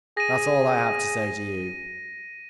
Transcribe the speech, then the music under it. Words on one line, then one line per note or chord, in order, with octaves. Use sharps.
That's all I have to say to you.
G#4 A#6 D#7